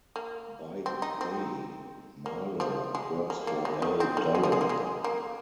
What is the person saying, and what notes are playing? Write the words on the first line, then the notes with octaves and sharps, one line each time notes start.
By day Marlo works for L. Dullo.
A#3
C4
D#4
C4
A#3
F3
G#3
A#3
A#3
G#3
D#3
C4
A#3
G#3
F3
G#3
A#3
G#3
A#3